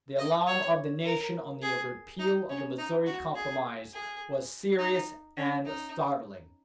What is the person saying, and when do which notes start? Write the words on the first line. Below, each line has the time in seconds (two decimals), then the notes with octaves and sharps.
The alarm of the nation on the repeal of the Missouri Compromise was serious and startling.
0.18 D#5
0.47 C#5
1.05 A#4
1.62 G#4
2.19 D#4
2.49 C#4
2.78 D#4
3.06 F#4
3.35 G#4
3.93 G#4
4.79 D#4
5.37 C#4
5.65 D#4